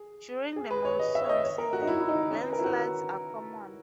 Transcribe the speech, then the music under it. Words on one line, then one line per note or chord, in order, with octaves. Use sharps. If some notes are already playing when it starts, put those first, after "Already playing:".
During the monsoon season, landslides are common.
Already playing: G#4
G#4
B4
C#5
D#5
E5
C#5
D#5
C#5
A#4
F#4
D#4
E4
E4
D#4
C#4
B4
A#4
E4
F#4